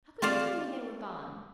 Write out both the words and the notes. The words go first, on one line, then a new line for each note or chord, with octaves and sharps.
How could you tell me they were gone?
C4 F4 C5 D5 F5